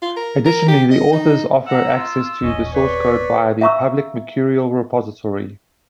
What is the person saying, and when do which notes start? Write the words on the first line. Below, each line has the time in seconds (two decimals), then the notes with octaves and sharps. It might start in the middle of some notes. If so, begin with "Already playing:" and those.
Additionally, the author offers access to the source code via a public Mercurial repository.
0.02 F4
0.17 A#4
0.45 A#4
0.68 G4
0.91 D#5
1.12 D#4
1.67 F#5 A#5 E6
1.97 F4
2.42 D#1 A#1 C#4 D#5
2.74 B4 C#5 D5
3.61 E5 F5 A#5 C#6 E6